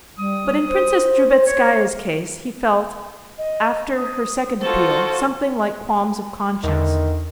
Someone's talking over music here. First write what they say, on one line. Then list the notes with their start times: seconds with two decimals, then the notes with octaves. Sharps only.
But in Princess Drubetskaya's case he felt, after her second appeal, something like qualms of conscience.
0.18 G3 D#6
0.69 C5
1.46 C#5
3.38 D#5
3.97 D#6
4.60 F4 F#4 A4 C5
6.64 E2 D3 D#3